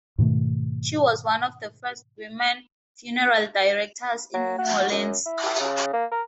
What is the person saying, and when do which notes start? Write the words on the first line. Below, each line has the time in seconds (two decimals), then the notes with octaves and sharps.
She was one of the first women funeral directors in New Orleans.
0.18 G#2 B2 D#3 A3
4.33 F#3
4.58 F#4
4.91 F#2
5.26 E4
5.60 C#3
5.93 A#3
6.12 A#4